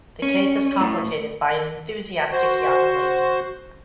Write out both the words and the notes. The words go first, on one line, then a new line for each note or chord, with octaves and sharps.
The case is complicated by an enthusiastic young lady.
C#4
A2
F#4 C5